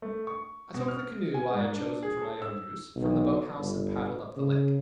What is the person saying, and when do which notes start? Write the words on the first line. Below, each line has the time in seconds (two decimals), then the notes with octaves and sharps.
I took the canoe I had chosen for my own use from the boat-house and paddled up the lake.
0.02 A3
0.27 C#6
0.74 B2
0.88 F6
1.34 G#5
1.52 G#2
1.75 D4
2.03 G#4
2.22 A4
2.42 E6
2.95 B1
3.57 G1
4.37 C#3